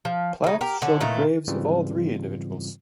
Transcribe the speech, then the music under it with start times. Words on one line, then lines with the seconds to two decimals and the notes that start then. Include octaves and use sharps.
Plaques show the graves of all three individuals.
0.05 F3
0.44 C#3 D#4
0.61 G4 A#4
0.82 D3 C#4 D4
1.00 A#2 D#3 E3 A3
1.48 G#2 C#3 E3 G3 C4 F4